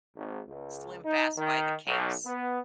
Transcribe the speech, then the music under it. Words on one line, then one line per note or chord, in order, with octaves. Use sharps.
SlimFast by the case.
G#1
C#2
D#4
D#3
B1
B3